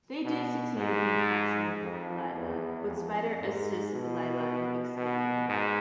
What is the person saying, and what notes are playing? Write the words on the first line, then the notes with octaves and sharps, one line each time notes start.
They did succeed in capturing Lila, but Spyder assists Lila in escaping.
B2
G#2
F2
E2
F2
G#2
B2
B2
G#2